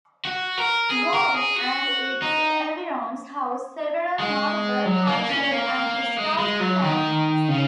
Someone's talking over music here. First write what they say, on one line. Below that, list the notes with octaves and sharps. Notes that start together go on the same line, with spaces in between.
Gori and its environs house several notable cultural and historical landmarks.
F#4
A#4
G#4
A#4
G#4
F#4
D#4
G#3
F#3
A#3
C#4
A#3
G#3
G#3
F#3
D#3
C#3